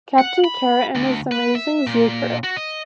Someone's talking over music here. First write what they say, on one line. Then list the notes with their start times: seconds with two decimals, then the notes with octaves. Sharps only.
Captain Carrot and His Amazing Zoo Crew!
0.19 F#5
0.44 B5
0.96 D2
1.32 B4
1.55 E5
1.87 A#2
2.44 F#4
2.57 D#5